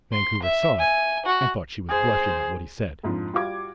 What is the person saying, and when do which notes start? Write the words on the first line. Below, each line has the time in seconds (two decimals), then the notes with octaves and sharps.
Vancouver saw it, and thought she was blushing at what he said.
0.12 C6
0.42 E5
0.79 G#5
1.26 F#4
1.89 G#4 C5
3.03 F2 G#2 F3 D4
3.33 G3 F4 F#4 F5 D6 G#6